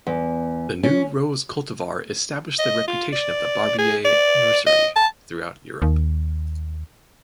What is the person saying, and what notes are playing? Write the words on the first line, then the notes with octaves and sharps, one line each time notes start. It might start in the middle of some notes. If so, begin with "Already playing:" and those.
The new rose cultivar established the reputation of the Barbier nursery throughout Europe.
E2
C#4
D#5
F4
D5
G#4
D5
D#5
A5
D#2